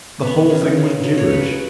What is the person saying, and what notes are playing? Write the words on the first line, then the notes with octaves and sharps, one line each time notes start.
The whole thing was gibberish!
B3 B4
C#3
C#3
F#3
C#5
C#3 B4